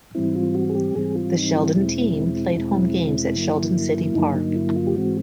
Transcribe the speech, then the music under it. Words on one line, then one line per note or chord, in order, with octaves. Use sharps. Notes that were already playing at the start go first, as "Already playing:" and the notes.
The Sheldon team played home games at Sheldon City Park.
G#2 E3 G3 C4 E4
F4
F#4
G#4
G4
G#2 E3 G3 C4 G#4
F4
D#4
E4
E2 B2 G#3 C4 E4
E2 B2 G#3 C4 E4
G2 D3 F#3 A#3
G2 D3 F#3 A#3 D#4
D#4
E4
F4
G4
G#2 E3 G#3 C4 F#4